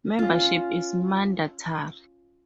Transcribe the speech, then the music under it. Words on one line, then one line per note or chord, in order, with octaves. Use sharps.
Membership is mandatory.
C#4 F4